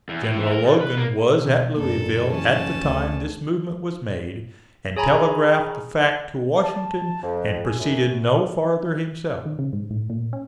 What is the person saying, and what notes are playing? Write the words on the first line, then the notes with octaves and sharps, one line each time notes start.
General Logan was at Louisville at the time this movement was made, and telegraphed the fact to Washington, and proceeded no farther himself.
E2
A2
E3
A#4
B2
B4
A#3
B2 D3 D#3
F#1 A#3 D4 A4
E3 C#4 A5
D2
G#4 C#5 G#5 A#5 B5
A5
F2
G#4
F#2
D#3
C#3
G#2
A2
A#2
C#4